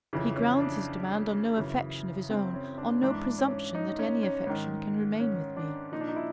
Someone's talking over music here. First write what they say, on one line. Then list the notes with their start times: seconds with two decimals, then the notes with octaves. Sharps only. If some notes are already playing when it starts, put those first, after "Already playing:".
He grounds his demand on no affection of his own, on no presumption that any affection can remain with me.
0.13 F2 C#3 E3
0.36 C#4
0.60 D4
1.57 F#2 C#3 E3
2.30 C4
2.54 C#4
2.78 D4
3.02 G#2 E3 D4
3.39 C#4
3.75 D#4
3.99 C#4
4.23 C#4
4.47 G#2 D#3
5.20 C#4
5.56 D4
5.92 A#2 F3 D#4
6.00 D4
6.08 D#4
6.16 E4